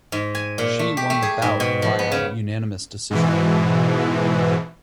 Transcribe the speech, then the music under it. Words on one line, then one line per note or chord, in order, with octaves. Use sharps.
She won the bout via unanimous decision.
G#2
G#5
A#2
A3
G4
A3
G#4
G#2
B2
F3
B3
C#3
G#2 B2 E3